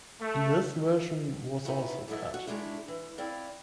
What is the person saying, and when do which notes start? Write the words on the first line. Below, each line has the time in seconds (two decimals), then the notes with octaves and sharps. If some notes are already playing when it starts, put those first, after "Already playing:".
This version was also cut.
0.20 A3
1.65 B3 D#4 E4 F#4
2.08 E3 F#3 E4 A4 D#5
2.34 F#4
2.47 D#3 G#3 A3 D4 E4
2.88 E3
3.18 C4 E4 D5 F5